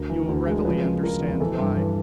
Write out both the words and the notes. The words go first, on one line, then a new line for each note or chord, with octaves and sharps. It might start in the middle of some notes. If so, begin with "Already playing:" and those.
You will readily understand why.
Already playing: D2 A#4
E3
D2
G#3
F3 B4
C#3
F3 A#4
E2
E3 A4
G2
E3